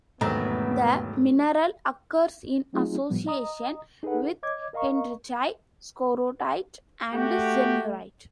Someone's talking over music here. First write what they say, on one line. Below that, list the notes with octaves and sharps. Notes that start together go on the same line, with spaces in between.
The mineral occurs in association with heinrichite, scorodite, and zeunerite.
E1 D#2 G#2 F#3 A3 B3 A#5
F#3 A3 C4 D#4 F4 G#4
A2 F3 G3 B3
D#5 A#5 D#6
D#4 G#4 A4 B4 F#5
C#5 D#5 D6 G#6
A#4 D#5 F5 A#5 C#6
A3 F#4 G4